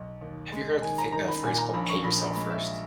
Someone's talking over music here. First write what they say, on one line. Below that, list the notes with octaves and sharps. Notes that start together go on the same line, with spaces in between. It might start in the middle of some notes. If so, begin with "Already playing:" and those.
have you heard of the thi of the phrase called pay yourself first?
Already playing: B1
D#2
G#3
D#3 G#5
A#5
D#3 A#5
B5
A#2 G#5
A#5
A#1 B5
C#6
A#1 B5
B5
G#3 B5
E5